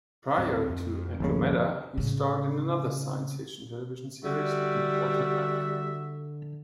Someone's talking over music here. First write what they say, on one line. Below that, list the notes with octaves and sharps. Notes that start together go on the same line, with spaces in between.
Prior to "Andromeda" he starred in another science fiction television series, "Deepwater Black".
D2 G#2 C4
F2
G1 D#2 C#3 F3
A2 C#3
D3 G3 F#4 E5